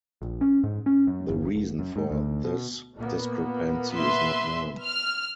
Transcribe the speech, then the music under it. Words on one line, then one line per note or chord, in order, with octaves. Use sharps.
The reason for this discrepancy is not known.
A#1
C#4
G#2
C#4
F#2
G1
F1
F#2
G#2
D2
B2
A#2 A#3 B3
B4 E5 C6
F6